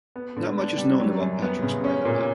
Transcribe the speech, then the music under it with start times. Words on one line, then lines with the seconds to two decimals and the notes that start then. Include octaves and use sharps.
Not much is known about Patrick's private life.
0.16 B3
0.37 D3
0.58 D4
0.78 G3
1.00 F#3
1.20 F#2
1.42 B3
1.62 C#3
1.84 C#4
2.05 A#2